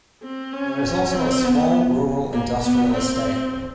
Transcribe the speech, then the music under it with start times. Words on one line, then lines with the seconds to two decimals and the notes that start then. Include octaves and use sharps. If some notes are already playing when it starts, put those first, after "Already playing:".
There is also a small rural industrial estate.
0.24 C4
0.53 C#4
1.13 C4
1.44 B3
2.33 A#3
2.62 B3
2.93 C4